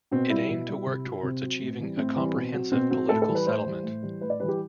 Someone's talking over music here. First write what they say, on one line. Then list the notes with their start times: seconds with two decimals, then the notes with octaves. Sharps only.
It aimed to work towards achieving a comprehensive political settlement.
0.11 B2 C4
0.30 G3 E4
0.49 B2
0.68 G3
0.86 C3
1.05 F#3
1.23 C3 C4
1.42 F#3
1.61 A2
1.79 E3 G3
1.97 A2 C4
2.16 E3 G3
2.35 B2
2.54 F#3
2.72 B2 C4
2.91 F#3 C4
3.09 A2 A4
3.22 A4
3.28 E3 G3
3.35 B4
3.46 A2 C5
3.66 E3 G3
3.83 A2
4.03 E3 G3
4.21 A2 B4
4.30 D5
4.40 E3 G3 B4
4.48 G4